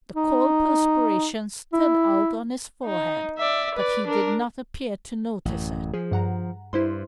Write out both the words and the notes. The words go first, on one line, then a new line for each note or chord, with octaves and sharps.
The cold perspiration stood out on his forehead but he did not appear to notice it.
D#4
E4
D#4
D5 E5
B4 D5
D4 A#4
A1 F#2
F3 G#4
G2 F#5 A#5
G2 E4 C5 C6